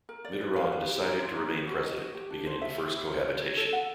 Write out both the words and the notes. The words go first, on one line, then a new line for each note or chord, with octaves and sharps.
Mitterrand decided to remain president, beginning the first cohabitation.
A#4
D5
B4
F5
B4
G4
D#4
C5
D#4
B4
F#4
D#5
F#4
G4
D4
C5
E5
G4
E4
A#4
C#5
C#5
A4
F#5